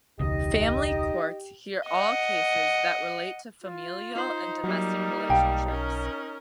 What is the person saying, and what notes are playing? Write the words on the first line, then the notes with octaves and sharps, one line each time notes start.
Family courts hear all cases that relate to familial and domestic relationships.
E1 C#2 D#4 G4 D#5
D#5 F#5
F4
D#4 F4 C5
F#3 G3 A#3
B1 F5 G5 A5
C#4 A#4